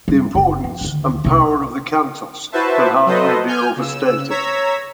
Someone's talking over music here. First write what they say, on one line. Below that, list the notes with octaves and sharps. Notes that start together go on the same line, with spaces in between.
The importance and power of the Cantos can hardly be overstated.
F#2 G3
F#1
F3
D2 D#3
C2 D4
E4 F#4 B4 C5 E5 A5
F#3 A4 B4 C5 D#5
G#5 F6 G6
C#3 E6
C#5 A#5 E6 G#6 B6